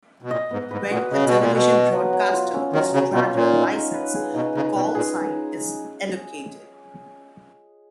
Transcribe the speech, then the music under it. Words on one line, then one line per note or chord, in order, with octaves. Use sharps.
When a television broadcaster is granted a licence, a callsign is allocated.
B2
A#2 D#5
G#2 B3
G#2 B4
A#2 F#4
C#3 D#5
B2
B3
A#2
B2 B4
F#4
F#3
F#3
F4
C#4
D#3 F#3
C#3 F#3
B2 F4
A#2 C#4
D#4
D#4
B4
G#4
B2 D#4
C#3 D#4
B2 B4
A#2 G#4